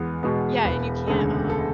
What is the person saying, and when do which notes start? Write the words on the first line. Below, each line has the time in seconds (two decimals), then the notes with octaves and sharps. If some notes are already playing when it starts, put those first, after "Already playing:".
Yeah, and you can't, uh
Already playing: E2 G#3 B3
0.23 B2 G#3 B3
0.65 E1 B4
1.07 D2 C#3 G#3 A4
1.50 A4